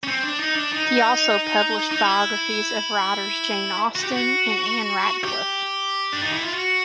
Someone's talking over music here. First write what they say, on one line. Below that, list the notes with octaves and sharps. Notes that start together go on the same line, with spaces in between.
He also published biographies of writers Jane Austen and Ann Radcliffe.
C#4
C4
D4
D#4
D4
D#4
D#4
E4
F#4
G4
F#4
G4
D4
D#4
E4
F4
F#4